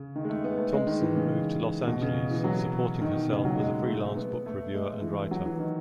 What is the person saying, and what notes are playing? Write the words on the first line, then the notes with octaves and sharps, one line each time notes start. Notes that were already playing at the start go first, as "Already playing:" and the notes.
Thompson moved to Los Angeles, supporting herself as a freelance book reviewer and writer.
Already playing: C#3
D#3
G#3
A3
B3
A3
G#3
D#3
E3
C#3
B2
C#3
E3
F#3
D#3
B2
C#3
F#3
G#3
A3
B3
A3
G#3
E3
F#3
E3
D#3